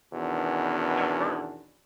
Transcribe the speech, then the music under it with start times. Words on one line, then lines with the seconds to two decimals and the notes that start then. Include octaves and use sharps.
he got hurt
0.13 E2 B2 D#3 C#4 D4